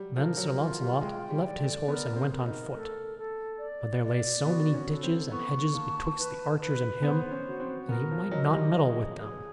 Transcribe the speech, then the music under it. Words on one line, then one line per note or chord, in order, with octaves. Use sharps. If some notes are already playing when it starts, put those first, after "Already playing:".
Then Sir Launcelot left his horse and went on foot, but there lay so many ditches and hedges betwixt the archers and him that he might not meddle with them.
Already playing: F#3 G3
F3 A#4
F#3
F4
G3
G#3 G5
G3
D5
A3
B3 A#4
C4
A#4
D#4
A3 A4
A4
D5
D5
B3 F#4
C#4
A4
C4
B3 C#6
A#3 A5
B4
B4
B3 C5
C#4
F#4
C4
B3 A#4
F3
F#3 D#5
G3
G#4
G#4